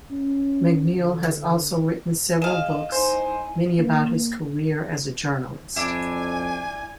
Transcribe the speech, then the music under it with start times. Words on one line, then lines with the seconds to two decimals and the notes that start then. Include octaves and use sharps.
MacNeil has also written several books, many about his career as a journalist.
0.11 C#4
0.99 D3
2.42 G#4 D#5 F5 E7
2.92 D#4 E4 C5 G#5
3.79 A#3
5.76 F2 D4 E4 G#5